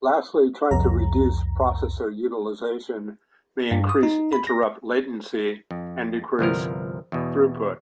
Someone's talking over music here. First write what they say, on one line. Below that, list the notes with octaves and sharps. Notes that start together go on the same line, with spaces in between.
Lastly, trying to reduce processor utilization may increase interrupt latency and decrease throughput.
C2 F2 A#5
G2
D#6
D#4
B5
A#6
F2
G1 C2 F3 A#4
E2 B2